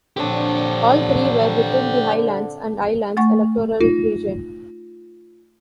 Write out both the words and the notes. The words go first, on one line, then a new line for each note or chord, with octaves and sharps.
All three were within the Highlands and Islands electoral region.
A#2 D3 F3 C4 D4 G4 C#5
A3 F#5 C#6
D#4 F4